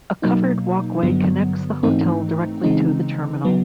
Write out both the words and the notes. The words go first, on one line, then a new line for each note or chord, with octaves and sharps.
A covered walkway connects the hotel directly to the terminal.
B2 F#3 A#3 D#4
G2 D3 F#3 B3
G#2 E3 A3 C4 D#4
C#3 E3 G#3 C4 D#4
C#3 F#3 B3